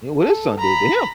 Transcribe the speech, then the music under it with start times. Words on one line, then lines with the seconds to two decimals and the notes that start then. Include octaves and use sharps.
You know, what his son did to him
0.21 A4
0.58 A#5 B5